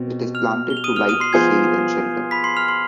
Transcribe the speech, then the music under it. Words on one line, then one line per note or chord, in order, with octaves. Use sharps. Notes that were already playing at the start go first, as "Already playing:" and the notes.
It is planted to light shade and shelter.
Already playing: B2 C4
F6 F7
G7
F7
D#6 D#7
F6 F7
D#6 D#7
C6 C7
F3 B3 F4 G#4 C5 G#5 G#6
B5 B6
C6 C7
F6 F7
C6 C7